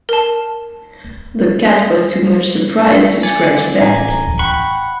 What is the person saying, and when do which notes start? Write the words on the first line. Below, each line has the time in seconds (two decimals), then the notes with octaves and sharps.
The cat was too much surprised to scratch back.
0.09 A#4 A5
3.23 D5 G#5 C#7
3.81 A1 G#5 A#5
4.39 F#5 G5 B5 C#6